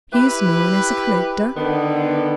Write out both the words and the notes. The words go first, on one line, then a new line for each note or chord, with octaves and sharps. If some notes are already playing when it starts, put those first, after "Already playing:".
"He is known as a collector?"
E4 G4 B4
D3 D#3 B3